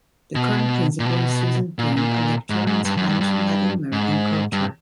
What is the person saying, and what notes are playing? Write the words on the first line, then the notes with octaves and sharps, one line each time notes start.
The current principal is Susan Frenk, a lecturer in Spanish and Latin-American culture.
B2
A#2
B2
A#2
A#2
G#2
G#2
G2
F#2
G2
G2
G#2
G2